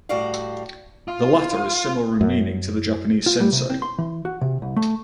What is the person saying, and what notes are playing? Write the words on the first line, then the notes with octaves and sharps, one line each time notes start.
The latter is similar in meaning to the Japanese "sensei".
A2 G3 F#4 D5 F5
F4
F#2
F4
G3
C3
C4
C6
E3
F#4
C3
C2
A3